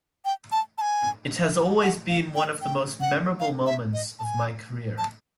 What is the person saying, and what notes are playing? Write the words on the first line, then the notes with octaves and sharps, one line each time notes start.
It has always been one of the most memorable moments of my career.
G5
A5
A5
G#5
F#5
F5
G5
G5
F#5
F5
E5
D#5
A5
G#5
A5